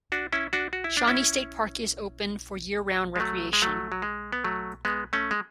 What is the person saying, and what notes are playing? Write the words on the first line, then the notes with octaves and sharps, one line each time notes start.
Shawnee State Park is open for year-round recreation.
D4 F#4
C#4 E4
D4 F#4
F#4
E4
D4
C#4 E4
G#3
F#3 A3
G#3
F#3 A3
F#3
G#3
B3
F#3 A3
G#3 B3
A3 C#4
G#3